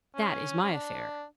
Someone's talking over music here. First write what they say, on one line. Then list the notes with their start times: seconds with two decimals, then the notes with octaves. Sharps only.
'That is my affair.
0.15 C#4
0.62 C#4
0.73 D4